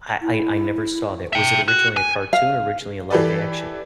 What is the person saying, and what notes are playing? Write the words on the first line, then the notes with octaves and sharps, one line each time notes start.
I I I never saw that, was it originally a cartoon or originally a live action?
E4
E5 G5
F#4
G#5
F5
E3 G4 A4 B4 D5